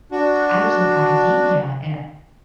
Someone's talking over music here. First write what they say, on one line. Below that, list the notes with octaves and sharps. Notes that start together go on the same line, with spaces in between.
I was in academia, and
D4 F#4